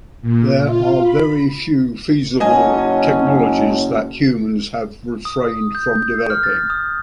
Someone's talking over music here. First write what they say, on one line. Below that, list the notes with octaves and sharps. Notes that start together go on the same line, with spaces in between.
There are very few feasible technologies that humans have refrained from developing.
A#2
F4
B5
F#1 F#3 C#4 D#4 D#5 G#5 A5
D#6
G6
F6
A6
D#6